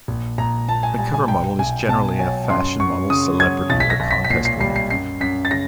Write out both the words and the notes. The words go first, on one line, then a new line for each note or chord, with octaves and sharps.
The cover model is generally a fashion model, celebrity, or contest winner.
A#1
A#1 A#5
A#2 A5
G#5
G3 G#5
G#5
B1 G5
B1 G#5
B2 A5
F#3 G#5
F#2 C6
F#2 C#6
C#3 D#6
F#3 G#6
B1 A6
B6
A#6
B1
B6
B6
A#2 C7
C7
G3 C7
C7
F#2 C7
F#2 B6
A6
C#3 A#6